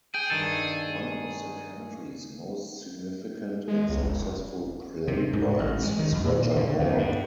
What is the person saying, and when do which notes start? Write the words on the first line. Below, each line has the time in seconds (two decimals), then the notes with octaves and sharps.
One of the country's most significant and successful playwrights is Roger Hall.
0.15 G#4 G5
0.30 G2 D#3 A4
3.68 G#3
3.89 C#2
4.02 G1
4.18 F1
5.08 C3
5.33 G#2
5.59 A1
5.83 G#3
5.99 D#3
6.12 F2
6.24 A#2
6.56 D3
6.79 D2
6.98 G2